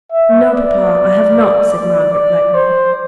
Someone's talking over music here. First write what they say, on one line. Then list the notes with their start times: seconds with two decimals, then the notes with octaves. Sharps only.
'No, papa; I have not,' said Margaret, reddening.
0.12 E5
0.53 D5
1.74 D5
2.14 D5
2.54 C5